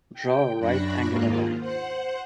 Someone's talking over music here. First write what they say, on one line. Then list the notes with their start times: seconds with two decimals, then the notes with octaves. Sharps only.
Draw a right-angular line.
0.13 G5
0.58 F#2 D4 B5 C#6 F#6 A#6
1.07 D#2 G#2 A#3 F4
1.58 C5 F#5